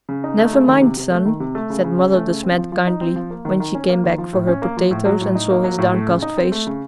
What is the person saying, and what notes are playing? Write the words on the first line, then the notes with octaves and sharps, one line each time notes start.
"Never mind, son," said Mother De Smet kindly, when she came back for her potatoes and saw his downcast face.
C#3
D#4
A3
C#3
D#3
C3
C3
A3
D#3
C3
A3
C#3
C#3
C#4
A3
C#3
C4
F3
F3
D#4
C4
F3
A#3
D#3
D#3
C#4
A#3
D#3
F3
A2
C#4
A#3
F3
A2
F#3
A2
D#4
A#3
F#3
A2
A3
C#3
D#4
C4
A3
C#3